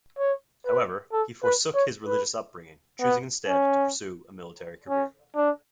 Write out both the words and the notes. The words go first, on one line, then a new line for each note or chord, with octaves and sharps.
However, he forsook his religious upbringing, choosing instead to pursue a military career.
C#5
B4
A4
B4
C#5
B4
B3
C#4
C#4
D4